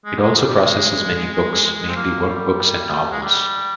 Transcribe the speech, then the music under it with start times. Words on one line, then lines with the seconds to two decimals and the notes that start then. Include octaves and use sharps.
It also processes many books, mainly work books and novels.
0.06 G#3
0.17 G3
0.22 G#3
0.37 G3
0.48 G3
0.54 G#3
1.89 C4
1.96 A#3
2.28 G3
3.11 G#3
3.23 G3